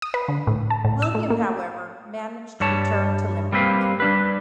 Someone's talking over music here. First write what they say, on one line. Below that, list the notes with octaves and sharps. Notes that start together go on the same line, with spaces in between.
William, however, managed to return to Limerick.
D#6
B4
D3
A2
A5
A2
E6
A3
A#3
G2 G3 C#5 A5
G3 A#3 C4 B4 F5
G3 D4 B4